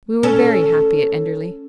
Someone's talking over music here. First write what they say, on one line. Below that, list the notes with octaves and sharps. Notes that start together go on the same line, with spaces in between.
We were very happy at Enderley.
C#4 A4